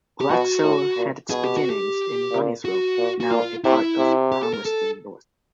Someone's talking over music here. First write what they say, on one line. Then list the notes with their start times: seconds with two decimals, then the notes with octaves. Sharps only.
Glaxo had its beginnings in Bunnythorpe, now a part of Palmerston North.
0.21 G4
0.30 B2 F#4
0.63 A2
0.97 A#2
1.30 B2 G#4
1.44 G4
1.57 F#4
1.70 G4
2.31 A#2
2.65 F#4
2.98 A#2
3.20 F#4
3.31 A#2 F4
3.64 C3 E4
3.98 C3
4.32 G4
4.43 A4
4.53 A#4
4.65 A4